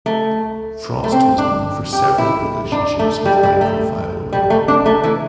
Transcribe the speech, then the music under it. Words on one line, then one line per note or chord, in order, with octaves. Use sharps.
Frost was known for several relationships with high-profile women.
A3
A3
C4
D4
G4
E4
D4
A3
G3
G3
A3
G3
A3
D4
A3
E3